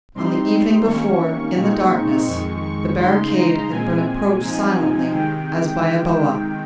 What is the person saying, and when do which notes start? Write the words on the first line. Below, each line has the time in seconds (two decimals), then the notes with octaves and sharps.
On the evening before, in the darkness, the barricade had been approached silently, as by a boa.
0.15 C3 G3 C4 D#4 C6
0.86 C3 D#3 A#3 C#4 C#6
1.56 A#2 G#3 C4 D#4
2.27 F2 D#3 G#3 C#6
2.62 C#6
2.98 C#3 G#3 D#4 C6
3.33 A#5
3.69 A#2 G#3 C4 G#5
4.40 C3 F3 C4 D#4
5.11 C3 D#3 G#3 G5